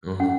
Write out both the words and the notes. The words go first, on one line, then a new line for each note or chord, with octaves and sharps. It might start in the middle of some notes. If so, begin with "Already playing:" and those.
Uh huh.
C#4 F#5